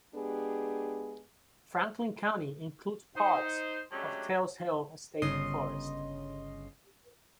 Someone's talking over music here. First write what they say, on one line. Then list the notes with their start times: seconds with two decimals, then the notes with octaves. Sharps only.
Franklin County includes part of Tate's Hell State Forest.
0.14 G#3 B3 D4 G4 G#4
3.15 D#4 C5
3.91 F#3 G#3 A3 C#4 D4 G4
5.22 G1 C#3 D#5 C6